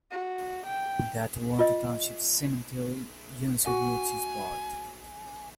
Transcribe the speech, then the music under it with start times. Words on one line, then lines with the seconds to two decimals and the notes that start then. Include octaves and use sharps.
In the Toronto Township Cemetery, John C. Woods is buried.
0.11 F#4
0.66 G5
1.59 F4 D#5
3.66 F#4 F#5 G#5